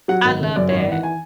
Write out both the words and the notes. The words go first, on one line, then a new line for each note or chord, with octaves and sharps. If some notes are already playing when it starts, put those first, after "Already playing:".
I love that.
F#3 F#5
G#1
C#3
F#2 D5
C#5
G#1
D5
E3 F#5
G#5